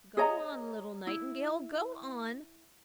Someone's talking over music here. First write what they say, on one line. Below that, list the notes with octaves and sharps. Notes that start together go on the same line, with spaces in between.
"Go on, little Nightingale, go on!"
G#4 C#5 D#5 A#5
E4